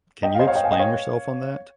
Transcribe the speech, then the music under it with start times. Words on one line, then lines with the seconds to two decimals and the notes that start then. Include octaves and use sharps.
Can you explain yourself on that?
0.23 D#5 G5
0.34 F5
0.39 C5 D#5
0.47 C#5 F5
0.55 D#5 G5
0.64 F5 G#5
0.71 D#5 G5
0.79 C#5 F5